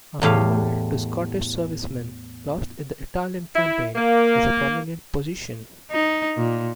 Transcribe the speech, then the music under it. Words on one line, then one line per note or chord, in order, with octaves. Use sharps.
A memorial to Scottish servicemen lost in the Italian campaign has a prominent position.
E2 A2 G4 F5
E4
A#3
D#4
A#2